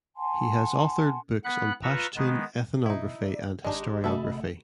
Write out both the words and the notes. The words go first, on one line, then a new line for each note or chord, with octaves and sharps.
He has authored books on Pashtun ethnography and historiography.
F#5 G#5 A5 C6
B3 F#5 B5 F#6
F4 B4 A#5 C#6 E6
D#3 G#3 B3
B2 D#4 E4
D5
G#1 G#3 D4 D#4 G4 D#5
C3 A3 F#4 G#4 A4 D#5 E5 B5